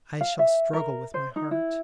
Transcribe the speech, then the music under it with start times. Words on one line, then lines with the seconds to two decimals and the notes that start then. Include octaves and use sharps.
I shall struggle with my heart.
0.21 F5
0.39 E5
0.73 A#4
1.14 C5
1.36 D#4
1.51 E4